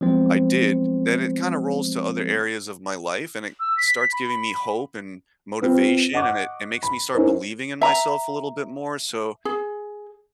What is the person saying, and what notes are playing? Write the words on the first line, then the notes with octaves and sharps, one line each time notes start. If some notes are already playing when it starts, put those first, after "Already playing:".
I did- then it kinda rolls to other areas of my life and it starts giving me hope, and motivation, and it it makes me start believing in myself a little bit more, so
F3 F#3 G#3 B3 C4 C5
E6
B6
B5
C4 F4 B4
D#5 F#5 C#6 D6
B5
C#4 D#4 E4 A#4 C5
E5 A#5
G#4